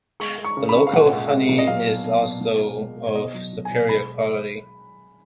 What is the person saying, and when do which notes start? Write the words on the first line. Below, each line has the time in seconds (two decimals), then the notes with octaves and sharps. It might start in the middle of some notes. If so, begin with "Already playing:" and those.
The local honey is also of superior quality.
0.20 G#3 C#6
0.38 G#3
0.44 C#6
0.57 C#3
0.69 B5
0.75 C#3
0.87 F5
0.93 A#2 F#5
1.12 G#3
1.30 G#3
1.49 A#2
1.58 D#5
1.67 F#3 F5
1.86 B2
2.04 B2
2.23 B2
2.41 A#2
2.60 G#3
2.79 G#3
2.97 G#3
3.07 C#5
3.15 B2 D#5
3.34 F#3
3.53 B2
3.65 G#5
3.71 F#3
3.89 G#3 B5